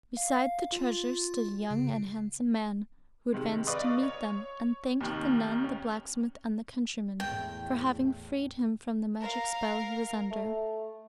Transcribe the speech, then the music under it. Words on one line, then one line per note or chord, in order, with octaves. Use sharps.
Beside the treasure stood a young and handsome man, who advanced to meet, them, and thanked the nun, the blacksmith, and the countryman, for having freed him from the magic spell he was under.
F5
F4
C#3
C3 D#3 G#3
B4 D5 D#5 F5 C#6 D#6
C#5
D#2 C3 D#3
C#4
E2 A2 G5
A#4 F5
A3